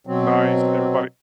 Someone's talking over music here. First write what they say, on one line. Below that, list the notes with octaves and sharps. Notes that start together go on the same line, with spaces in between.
nice. Everybody
B2 F#3 C4